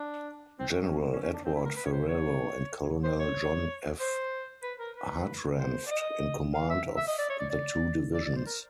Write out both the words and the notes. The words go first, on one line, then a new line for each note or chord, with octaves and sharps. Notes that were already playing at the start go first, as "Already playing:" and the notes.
General Edward Ferrero and Colonel John F. Hartranft in command of the two divisions.
Already playing: D4
C4
C#4
C#4
C#4
D4
C4
E4
A#4
B4
C#5
C5
C#5
C5
C#5
C5
B4
A#4
B4
C5
D5
D#5
F5
E5
E5
D#5
D5
C#5
D5
D5
D5
D5
C5
A#4